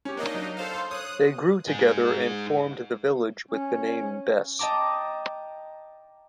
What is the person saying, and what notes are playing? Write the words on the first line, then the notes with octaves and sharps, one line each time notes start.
They grew together, and formed the village with the name Best.
C#4 G4
A#3 D4 D#4 D#5
F#3
A4 C5 F5
C6
C#5 D#6 F#6
D#4 G#4
C#4
D#5 G5 A5 A#5 D6